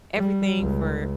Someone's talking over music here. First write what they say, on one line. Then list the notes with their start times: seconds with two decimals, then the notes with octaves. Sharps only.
everything for
0.17 G3
0.59 C#2